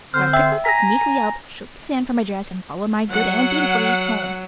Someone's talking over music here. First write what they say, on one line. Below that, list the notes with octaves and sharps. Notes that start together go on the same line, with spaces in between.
So I picked myself meekly up, shook the sand from my dress, and followed my good aunt dutifully home.
D3 C4 C5 F6
E5 G5 E6
G#5 A#5 A#6 B6
F#3 F#5